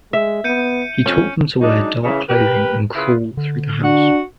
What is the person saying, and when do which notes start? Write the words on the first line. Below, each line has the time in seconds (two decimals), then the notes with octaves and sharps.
He taught them to wear dark clothing and "crawl" through the house.
0.13 G#3 E5
0.44 B3 G6 C#7 D#7
1.06 F2 C#4
1.61 F#3 G#3 D4 D#4
2.04 C#3 E3
2.29 G4 A#4 B4
2.95 C#3 E4 F4 G#4 B4 E5
3.37 D3
3.83 D4 F#4 F#5